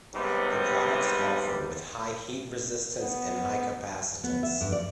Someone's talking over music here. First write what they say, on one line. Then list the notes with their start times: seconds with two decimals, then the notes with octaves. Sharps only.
The products offer with high heat resistance and high capacitance.
0.14 D#2 G#2 C3 G3 B3
3.00 B3
4.24 B3
4.43 E5
4.61 G2
4.72 D5